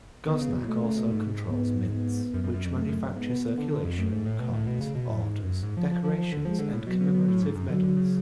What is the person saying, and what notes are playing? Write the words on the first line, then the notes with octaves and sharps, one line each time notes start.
Goznak also controls mints, which manufacture circulation coins, orders, decorations, and commemorative medals.
D3 B3
C#3
B2
A2
B2 A3
C#3
B2
G#2
B3
B3
F#2
F#2
F#2
F2
F#2 A3
F#2
F#2
G#2 B3
B2
D3
D3
F2
F#2 A3
G#2
A2
B2 A3
A2
B2
C#3
B2
A2
G#2
F#2
G#2
F3
F3
F3
F3
D3
F3 G#3
D3
A2
B2 F#3
B2
B2
A2
G#2
F#2
D3 F#3
D3
C#3